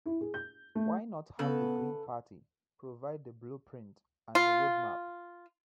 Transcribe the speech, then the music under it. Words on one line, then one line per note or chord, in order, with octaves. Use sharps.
Why not have the Green Party provide the blueprint and the road map?
E4
G#4
G6
A3
C#3 B3 A4 B4
F4